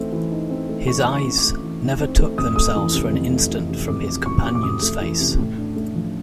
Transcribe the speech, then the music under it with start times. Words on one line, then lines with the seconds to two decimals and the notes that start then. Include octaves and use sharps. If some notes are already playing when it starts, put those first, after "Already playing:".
His eyes never took themselves for an instant from his companion's face.
Already playing: E3 A3 C4 D#4
0.12 E3
0.31 D#4
0.50 C4
0.69 A3
0.88 E3 C#6
1.06 D#4
1.12 C#6
1.25 C4
1.38 D6
1.44 A3
1.63 E3
1.82 D#4
2.00 C4
2.19 A3
2.38 F2 D#6
2.56 A3 D#6
2.76 E3
2.95 C3
3.13 F2
3.32 A3
3.51 E3
3.70 C3
3.88 F2 D6
4.07 A3 D6
4.26 E3 C#6
4.45 C3 D6
4.55 D6
4.63 F2 D#6
4.82 A3
5.01 E3
5.20 C3
5.39 A2
5.58 D4
5.76 A3
5.95 F3